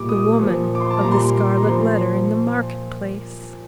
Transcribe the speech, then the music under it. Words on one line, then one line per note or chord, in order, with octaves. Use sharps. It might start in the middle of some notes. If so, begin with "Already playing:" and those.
The woman of the scarlet letter in the marketplace!
Already playing: A#2 G3 D6
D#6
A#2 F3
D6
C6
A5
A#2 G3 A#5
C6
D6
A#5
A#2 F3 C6